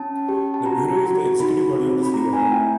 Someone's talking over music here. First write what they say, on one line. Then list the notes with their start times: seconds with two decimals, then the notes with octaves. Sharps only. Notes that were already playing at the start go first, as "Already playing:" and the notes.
The Bureau is the executive body of the CoR.
Already playing: C#4 A5
0.29 G4
0.54 A5
0.66 F#4 A#5
1.03 F#4
1.40 D#4 B5
1.77 C4
2.03 B5
2.14 A3 A#5
2.33 G#5
2.51 E4 G5